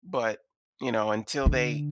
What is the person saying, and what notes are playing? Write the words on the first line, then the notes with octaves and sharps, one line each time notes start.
but, you know, until they
D3